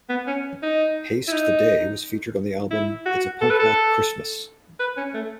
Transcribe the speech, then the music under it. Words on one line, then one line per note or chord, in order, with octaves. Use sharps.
Haste the Day was featured on the album It's a Punk Rock Christmas.
B3
C#4
D#4
E4
D#4
E4
F#4
A4
B4
A4
B4
C#4
A3